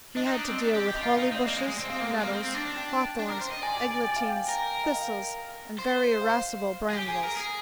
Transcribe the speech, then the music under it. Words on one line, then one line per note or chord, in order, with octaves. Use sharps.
He had to deal with holly bushes, nettles, hawthorns, eglantines, thistles, and very irascible brambles.
D4 D#5
D#4
D4
C4
D4
G4
G4
D#5
F4 F5
D#4
D#5
C4 D5
A#3 D#5
G#3
G#3
C4
C4 F5
A#3
G#3
A#3
C4
C4
D4
D4
G5
D4
A#4
C5
D#5
D5 G#5
G#5
G#5
G5
F5
G5
A#4
D#5
F5
C5
F5
G#4
G4
G#4 G#5
A#4
G#4